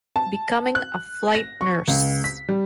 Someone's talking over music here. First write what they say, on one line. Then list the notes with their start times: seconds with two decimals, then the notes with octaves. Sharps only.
Becoming a flight nurse.
0.16 A5
0.75 F#6
1.35 A#6
1.61 C#6
1.88 C#2
2.24 B6
2.49 G3